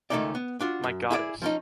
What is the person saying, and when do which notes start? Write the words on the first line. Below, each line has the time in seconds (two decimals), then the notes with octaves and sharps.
My goddess.
0.10 C#2 D#3 A3 C#4 D#4 D5
0.35 B3
0.60 D4 F4 F#4
0.84 F#2
1.11 E4 G#4 A4 D5
1.42 F3 C#4 D#4